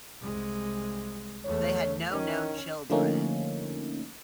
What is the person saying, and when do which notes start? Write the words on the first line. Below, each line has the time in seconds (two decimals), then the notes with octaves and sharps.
They had no known children.
0.21 C2 G#3
1.45 E2 A3 C#5
2.11 D#3 C#4
2.90 D3 F3 A3 A#3 C#4 D#4